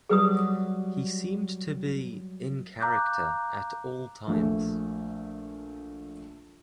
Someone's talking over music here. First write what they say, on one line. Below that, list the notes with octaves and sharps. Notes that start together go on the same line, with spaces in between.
He seemed to be "in character" at all times.
F#3 G3 G#4 B4 D#6
F5 A#5 D6 F#6 G6
A#1 A3